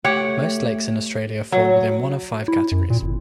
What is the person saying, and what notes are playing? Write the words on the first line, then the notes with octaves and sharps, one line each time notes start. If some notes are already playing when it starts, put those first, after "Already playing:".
Most lakes in Australia fall within one of five categories.
A3 G4 C#5 F#5
F#3 C#5
E4
F#2
A#2
G1